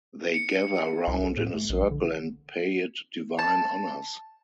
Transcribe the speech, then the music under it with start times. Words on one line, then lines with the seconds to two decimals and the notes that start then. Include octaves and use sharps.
They gather round in a circle and pay it divine honors.
0.34 C#7
1.08 C2
1.24 A4
1.37 A2
1.54 A3
1.70 A#1
1.91 D3
3.39 A5